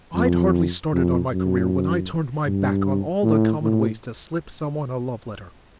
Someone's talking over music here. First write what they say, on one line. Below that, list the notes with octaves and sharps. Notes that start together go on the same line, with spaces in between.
I'd hardly started on my career when I turned my back on all the common ways to slip someone a love letter.
F2
F2
F#2
G2
A2
A2